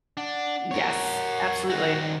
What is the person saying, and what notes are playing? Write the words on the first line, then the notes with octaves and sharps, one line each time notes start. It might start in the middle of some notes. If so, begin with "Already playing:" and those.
Yes, absolutely.
D4 F#5
A#4 C#5
D#3 F#4